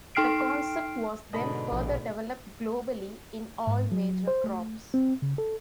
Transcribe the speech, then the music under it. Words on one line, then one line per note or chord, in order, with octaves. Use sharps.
The concept was then further developed globally in all major crops.
D#4 G5 F6 C7 D7
G#2 B2 D3 D#5 A5 B5
A#1
G#2
F#3
C5
A3
C4
C#3
A4